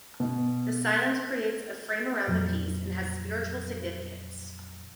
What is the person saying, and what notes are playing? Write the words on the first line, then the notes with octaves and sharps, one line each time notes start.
This silence creates a frame around the piece and has spiritual significance.
B2
F2 A#2 F3 F#3